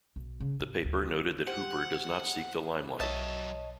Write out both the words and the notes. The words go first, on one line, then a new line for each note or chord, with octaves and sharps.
The paper noted that Hooper does not seek the limelight.
B1
C#3
A1
D2
G4 C5 F#5
B1 F#3 C#5 D#5 E5 A5